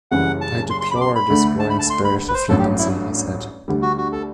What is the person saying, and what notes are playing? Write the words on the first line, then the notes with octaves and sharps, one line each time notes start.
"I deplore this growing spirit of flippancy," he said.
F#1 F#2 E3 G3 F#5
A5
C6
C6
B5
D6
C6
B5
D2 D3 A3
A5
B5
A5
C6
B5
B4
C5
A1 G2 F#3 A3 A4
G4
E4
D2 D3 G3
F#4
F#4
A4